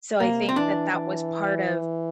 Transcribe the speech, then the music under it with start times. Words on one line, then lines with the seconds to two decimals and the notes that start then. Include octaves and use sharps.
so I think that that was part of
0.20 C3 A#3
0.49 C4
0.56 E3 D4
0.92 E3